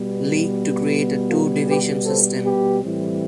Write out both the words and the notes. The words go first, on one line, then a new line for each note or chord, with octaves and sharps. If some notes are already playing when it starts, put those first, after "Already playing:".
League to create a two-division system.
Already playing: B2 G3 B3
F4 A4
G4 B4
A4 C5
G4 B4
A2 E3 G3 C4